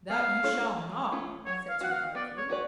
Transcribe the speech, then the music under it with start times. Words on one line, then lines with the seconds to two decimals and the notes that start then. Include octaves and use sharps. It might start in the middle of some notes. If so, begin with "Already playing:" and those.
"That you shall not," said Sir Godfrey.
0.10 B3 F5
0.44 D4 F4 A4 C#5
0.78 F3
1.12 A3 C#4 F4
1.46 F#3 C#5
1.69 F5
1.81 B3 F#4 F#5
1.92 F5
2.15 B3 D5
2.37 C#5
2.50 F#4 B4 D5